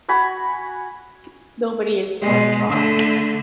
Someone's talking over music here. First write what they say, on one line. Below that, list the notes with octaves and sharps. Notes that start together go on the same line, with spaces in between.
Nobody is born taught.
F#4 G#5 B5
B2 G#3
D3 A3